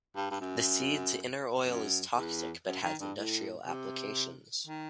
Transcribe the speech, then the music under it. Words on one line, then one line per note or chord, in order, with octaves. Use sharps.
The seed's inner oil is toxic but has industrial applications.
G2
G2
F#2
F#2
E2
F#2
D#3
G2
A2
C3
D#3